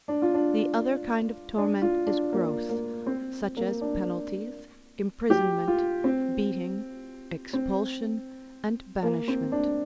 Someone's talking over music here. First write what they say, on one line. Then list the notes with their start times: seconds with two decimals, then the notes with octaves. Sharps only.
The other kind of torment is gross--such as penalties, imprisonment, beating, expulsion and banishment.
0.08 D4
0.22 F4
0.34 D4
1.58 D4
1.82 F4
2.06 D4
2.33 A#3
2.69 A#3
3.06 C4
3.57 A#3
3.81 D4
5.30 G4
5.68 F4
6.04 C4
7.53 C4
9.03 A#3
9.28 C4
9.52 D4